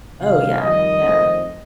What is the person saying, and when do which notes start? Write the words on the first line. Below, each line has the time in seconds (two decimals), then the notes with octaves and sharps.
Oh, yeah. Yeah.
0.19 C3 D#3 G3 F5
0.61 F2 D#3 G3 D#5
1.02 F2 D#3 A3 C4